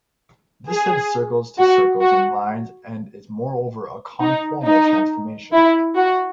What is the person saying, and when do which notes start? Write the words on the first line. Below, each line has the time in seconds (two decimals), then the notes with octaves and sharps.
This sends circles to circles and lines, and is moreover a conformal transformation.
0.70 G#4
1.58 F#4
2.02 F#4
4.21 D#4
4.65 D#4
5.53 E4
5.97 F#4